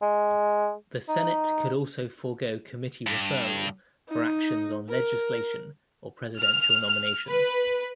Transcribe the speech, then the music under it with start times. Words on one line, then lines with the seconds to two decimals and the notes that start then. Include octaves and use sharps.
The Senate could also forgo committee referral for actions on legislation or presidential nominations.
0.02 G#3
1.09 D#4
3.07 G2
4.09 D#4
4.89 A#4
6.38 F6
7.28 B4